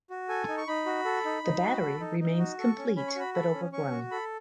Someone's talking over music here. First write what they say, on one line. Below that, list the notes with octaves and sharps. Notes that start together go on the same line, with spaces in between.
The battery remains complete but overgrown.
F#4
A4 G#5
D#4
C#6
D#4 B5
F#4
A4
D#4
D#4
F#4
A4
D#4
D#4
F#4
A4 C#6
C#4
C#4 B5
C#6
F#4 B5
A4 B5
C#4
C#4 C#6
F#4
A4 B5